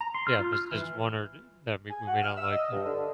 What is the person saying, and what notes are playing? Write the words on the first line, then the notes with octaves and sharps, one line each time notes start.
Yeah, there's, there's one or that or we we may not like and,
A#5
C6
F6
F4
F6
E3
G#5
F#5
F6
E6
D#5
G2
D3